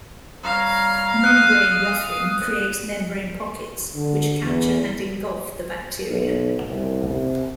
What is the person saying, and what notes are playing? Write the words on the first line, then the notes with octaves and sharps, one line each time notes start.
Membrane ruffling creates membrane pockets which capture and engulf the bacteria.
G3 C#5 F5 A#5
D#6 F#6
D3
E2
B1
C2
C3